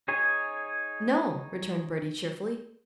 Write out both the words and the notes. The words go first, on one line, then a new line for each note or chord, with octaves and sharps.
"No'm," returned Bertie cheerfully.
D#4 G#4 C#5 G#5